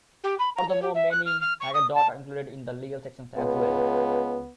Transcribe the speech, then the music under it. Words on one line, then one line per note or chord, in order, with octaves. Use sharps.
Furthermore, many haggadot are included in the legal sections as well.
G4
B5
A#5
C#5
G4
E5
F#6
F6
F6
C#6
D#6
A5
C#2 B3